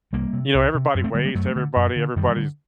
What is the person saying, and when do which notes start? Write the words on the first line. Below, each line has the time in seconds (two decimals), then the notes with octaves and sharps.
you know, everybody waves to everybody, everybody's
0.13 C2 G3 A#3
0.33 C3
0.54 C2
0.74 C3
0.95 F#2
1.04 A3 C4
1.14 D3 G3 A#3
1.25 G3 A#3
1.35 F#2 F#3 A3
1.56 D3
1.76 F#2
1.96 D3
2.16 F#2 D#3 G3
2.37 D3